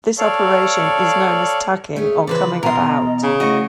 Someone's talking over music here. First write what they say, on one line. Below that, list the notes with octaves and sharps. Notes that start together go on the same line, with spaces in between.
This operation is known as tacking or coming about.
A4 C#5 D5 F5
A3 C#4 G#4
C#3 E3 B4 C5 D5
B2 E3 A#4 D#5 C6
C#3
D2 E3 A3 F#4 D#5 C#6